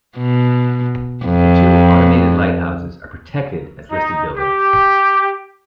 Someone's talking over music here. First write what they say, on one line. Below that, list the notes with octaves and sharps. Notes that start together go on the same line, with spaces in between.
The two automated lighthouses are protected as listed buildings.
B2
F2
D#4
G4